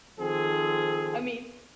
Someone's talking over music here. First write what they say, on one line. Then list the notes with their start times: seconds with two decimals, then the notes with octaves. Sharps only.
I mean
0.19 D#3 F3 C4 G#4 A4